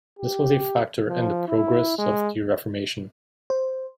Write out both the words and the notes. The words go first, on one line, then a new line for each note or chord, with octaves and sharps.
This was a factor in the progress of the Reformation.
G4
F3
E4
G#3
C5